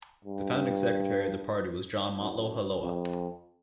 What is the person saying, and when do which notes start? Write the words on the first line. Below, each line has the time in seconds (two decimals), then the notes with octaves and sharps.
The founding secretary of the party was John Motloheloa.
0.25 G2
2.19 F#2
2.83 F2